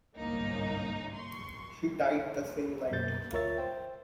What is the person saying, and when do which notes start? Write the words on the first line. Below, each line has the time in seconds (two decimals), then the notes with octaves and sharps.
He died the same night.
0.17 G1 C2 G#2 A#3 C#4 D#4
1.14 C6 C#6
2.91 F#2 B2 A#3 G6 A6
3.32 D2 F4 A#4 C#5 E5 A6
3.58 C5 G5